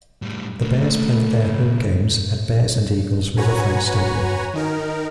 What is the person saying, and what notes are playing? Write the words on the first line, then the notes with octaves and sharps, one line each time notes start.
The Bears played their home games at Bears and Eagles Riverfront Stadium.
A2 G3
C#3 A3 A#3
F#4 B4 C#5 F#5 G#5 A#5
D#3 D#4 A#4